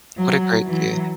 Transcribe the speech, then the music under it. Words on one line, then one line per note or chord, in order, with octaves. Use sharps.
What a great kid.
F#3
E3 F#3